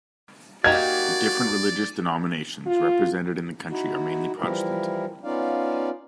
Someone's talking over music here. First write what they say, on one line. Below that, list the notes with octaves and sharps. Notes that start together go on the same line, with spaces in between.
The different religious denominations represented in the county are mainly Protestant.
A#3 D#4 F#4 G4 D5 G#6
F4
D#4 E4 F#4
E3 F3 G3 E4 A#4
B3 C#4 D#4 F4 D5 F5